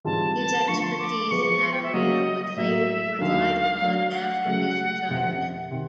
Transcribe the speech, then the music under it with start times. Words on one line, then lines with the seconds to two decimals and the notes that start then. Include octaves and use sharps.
His expertise in that arena would later be relied upon after his retirement.
0.05 G#2 E3 G3 C4 F4 A5
0.36 A5
0.68 D3 F3 A3 C#6
0.83 C6
1.00 D6
1.31 F3 G#3 B3 C#6
1.63 C6
1.73 G5
1.83 E5
1.93 C#3 F#3 A#3 C#4 F#4 D#5
2.50 D#5
2.56 A2 F#3 A#3 E5
3.19 D#2 D3 F#3 F5
3.82 F#3 A3 D4
4.13 F#5
4.45 C#3 F#3 A3
5.08 F2 C3 F3
5.71 C3 D#3